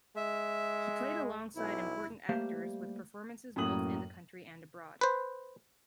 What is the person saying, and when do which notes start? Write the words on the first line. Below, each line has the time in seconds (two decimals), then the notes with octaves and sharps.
He played alongside important actors, with performances both in the country and abroad.
0.16 G#3 E5
1.56 B1 E4
2.29 G3 A3 A#3 G4 C5 F5
3.56 F#2 A2 A#3 D#6 F#7
5.01 B4 C5